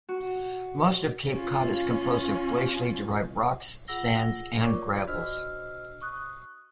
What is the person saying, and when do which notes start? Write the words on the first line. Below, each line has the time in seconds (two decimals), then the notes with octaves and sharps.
Most of Cape Cod is composed of glacially derived rocks, sands, and gravels.
0.09 F#4
1.32 C#4 F4
3.88 F4 G#4 F#5 E6 A#6 G7
4.61 F4 A#4 C#5 D5 C#6 D6
5.07 D4 F#4 C5 D#5 E6 F6
6.01 C#6 D#6 F#6